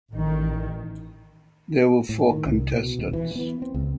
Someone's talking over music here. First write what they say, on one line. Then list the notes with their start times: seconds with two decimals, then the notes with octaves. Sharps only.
There were four contestants.
0.11 A1 D#3
2.09 A2
2.31 D#3
2.46 C2
2.72 B2
2.99 D#1
3.13 E3
3.35 B3
3.62 C4
3.74 C#2